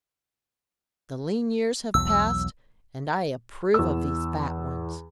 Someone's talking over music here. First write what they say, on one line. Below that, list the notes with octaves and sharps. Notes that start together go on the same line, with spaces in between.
The lean years have passed, and I approve of these fat ones.'
B1 E2 F#3 E6
E2 E6